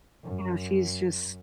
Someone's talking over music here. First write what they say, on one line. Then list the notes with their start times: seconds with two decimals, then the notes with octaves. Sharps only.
you know, she's just
0.24 F#2